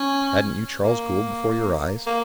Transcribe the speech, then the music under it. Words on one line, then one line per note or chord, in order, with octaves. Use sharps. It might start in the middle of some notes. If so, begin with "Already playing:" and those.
Hadn't you Charles Gould before your eyes?
Already playing: C#4
A#3
A#3